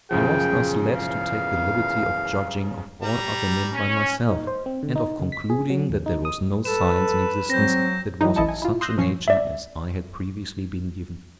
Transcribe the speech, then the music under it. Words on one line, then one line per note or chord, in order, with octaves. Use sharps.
I was thus led to take the liberty of judging of all other men by myself, and of concluding that there was no science in existence that was of such a nature as I had previously been given to believe.
F#2 C#3 F3 G#4 G5
E2 F5
G3 A#5
C#4
D#4
C5
C4
D3
D#4
C#3
B6
G#4
F#3
D#2
D#4
D#6
A4 B4 E7
F#3 C4 G6 A#6
E3 F#3 G#3 D#4
A1 E4 D#5 A5 C#7
G#5
E4 F4
C6 D#6 E6 F#6 G6 A#6
A#1 F3 C#4 C#6 C7
D5 E5